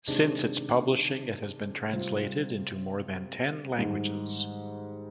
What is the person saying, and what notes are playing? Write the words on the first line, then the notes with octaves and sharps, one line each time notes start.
Since its publishing it has been translated into more than ten languages.
C3 D#3 G#3 D4
C3 G3 C4 F4
G#2 D#3 G3